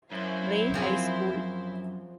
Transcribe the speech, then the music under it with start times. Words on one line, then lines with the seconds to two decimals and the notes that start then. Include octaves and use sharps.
Ray High School.
0.12 F#2 E4 C5 F5
0.74 F3 C4 G#4